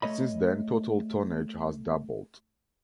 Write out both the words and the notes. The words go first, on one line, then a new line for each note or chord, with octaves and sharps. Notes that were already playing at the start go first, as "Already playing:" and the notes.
Since then total tonnage has doubled.
A3 C#5 D#5 B5